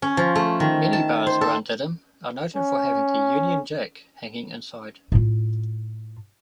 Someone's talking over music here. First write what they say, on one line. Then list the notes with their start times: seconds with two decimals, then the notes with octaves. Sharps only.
Many bars around Didim are noted for having the Union Jack hanging inside.
0.02 C#4
0.17 F3
0.35 A3
0.60 D#3
0.93 A5
1.26 C5
1.41 A4
2.56 C#4
5.12 A2 F4